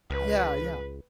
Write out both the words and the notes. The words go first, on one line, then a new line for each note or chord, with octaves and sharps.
Yeah, yeah.
C#2 B4